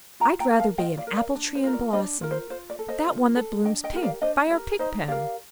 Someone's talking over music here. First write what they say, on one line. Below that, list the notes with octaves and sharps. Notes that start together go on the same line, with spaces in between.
"I'd rather be an apple-tree in blossom,--that one that blooms pink, by our pig-pen."
F4 G5 A#5
G5 A#5
A#4
F5 A5
F4 D#5 G5
D5 F5
A#4
D5 F5
D4
C5
F4 A#4
D5
D4 C5 D#5
F4 A#4
C5
F4 C5
D5
A4
C5 D#5
F4
A4
D4 D#5 G5
D#5 G5
G4 A#4
D5 F5
D4 C5 D#5
G4 A#4 D5
D#4 C5 D#5
G4 A#4 D5 F5